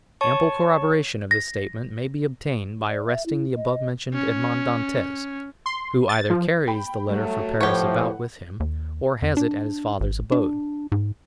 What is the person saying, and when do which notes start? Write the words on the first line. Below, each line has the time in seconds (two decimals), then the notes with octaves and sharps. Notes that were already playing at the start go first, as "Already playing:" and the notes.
Ample corroboration of this statement may be obtained by arresting the above-mentioned Edmond Dantes, who either carries the letter for Paris about with him, or has it at his father's abode.
0.21 C#5 A5 C#6
1.31 A#6
2.89 D5
3.06 E5
3.26 E4
3.56 D#5
4.14 C#4
5.66 C6
6.09 A6
6.30 F3
6.67 G5 B5
7.09 F#3 G3 A3
7.61 A2 F3 G4 B4 C#5 F#5
8.60 D#2
9.22 F2
9.37 D4
10.00 G#1
10.32 D4
10.92 G#2